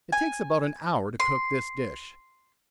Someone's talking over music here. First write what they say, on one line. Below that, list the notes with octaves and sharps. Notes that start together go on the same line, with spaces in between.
It takes about an hour to cook this dish.
G#5
C6